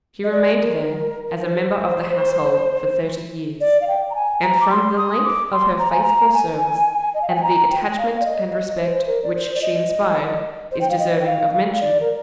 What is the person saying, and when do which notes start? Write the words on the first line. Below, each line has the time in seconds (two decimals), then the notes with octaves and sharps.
She remained there, as a member of the household, for thirty years; and from the length of her faithful service, and the attachment and respect which she inspired, is deserving of mention.
0.24 D#5
0.32 D5
0.59 A#4
1.42 C5
3.61 D5
3.81 F5
3.88 G5
4.10 A#5
4.15 G#5
4.43 A#5
4.61 D6
4.70 C6
4.97 D#6
5.24 D6
5.52 C6
5.79 A#5
5.91 G#5
6.02 A#5
6.34 G#5
7.14 D#5
7.22 F5
7.29 G5
7.36 G#5
7.43 A#5
7.70 G5
7.98 F5
8.21 D5
8.25 D#5
8.53 D#5
8.80 C5
8.96 C5
9.07 A#4
9.23 D5
9.35 C5
9.55 D5
9.62 D#5
10.72 C5
10.81 G5
10.90 F5
10.99 D#5
11.20 G5
11.26 F5
11.54 F5
11.81 D5
12.00 A#4